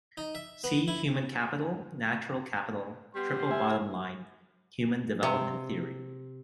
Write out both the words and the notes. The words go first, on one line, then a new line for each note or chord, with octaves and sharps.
See human capital, natural capital, triple bottom line, human development theory.
D#4
E5
B3
E4
G3 B3 C6
E5 G#5
C3